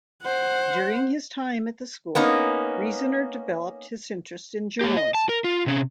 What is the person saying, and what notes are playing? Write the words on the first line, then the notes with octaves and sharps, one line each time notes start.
During his time at the school, Reasoner developed his interest in journalism.
C5 F#5
A#3 B3 C#4 D#4
A#3 G4
D#5
A5
A#4
F4
C3 C#4